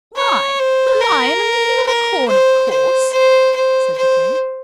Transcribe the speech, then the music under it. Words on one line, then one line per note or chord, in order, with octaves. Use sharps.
'Why the Lion and the Unicorn, of course,' said the King.
C#5
C5
A#4
A#4
C5
C5
C5
C5
C5